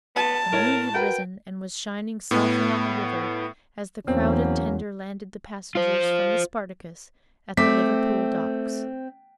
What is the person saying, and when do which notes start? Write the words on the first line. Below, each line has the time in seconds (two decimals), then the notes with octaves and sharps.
The moon had risen and was shining softly on the river as the crowded tender landed the passengers from the "Spartacus" at the Liverpool docks.
0.16 B3 A5
0.52 A2 A#4 C#5 G#6
0.94 F#4 A#4 B4 G5
2.31 A2 B3
4.08 E2 F#3 A#3 C4 C#4
5.75 F4 C5
7.57 A3 C4 D6 B6